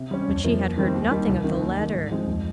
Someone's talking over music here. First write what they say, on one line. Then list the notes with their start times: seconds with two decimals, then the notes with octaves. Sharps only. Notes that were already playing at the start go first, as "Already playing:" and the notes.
But she had heard nothing of the letter.
Already playing: C3
0.11 G3 C#4
0.28 F2
0.44 C3 F3 A#3
0.61 D#2
0.77 D#3 G3 C4
0.94 D#2
1.11 D#3 G3
1.28 C2
1.44 C3 D#3
1.61 D#2
1.77 D#3 G3
1.94 G#2
2.11 F3 G#3 C4 D#4
2.27 F2